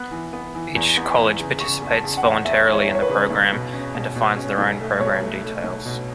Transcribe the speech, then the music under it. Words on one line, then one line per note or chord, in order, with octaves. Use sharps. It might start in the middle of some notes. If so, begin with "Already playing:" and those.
Each college participates voluntarily in the program and defines their own program details.
Already playing: B3 F#6
E3
B3
E3
E2
B3
E3
C#3
C#3 C#6
E2
A5
C#3
F#5
E2
E2 E5
E3
C#5
E2
C#5
B4
C#3
B1
B2
C#4
B2
B2
C#4
B1
A3
B2 C#5
A3
A3
B1
B2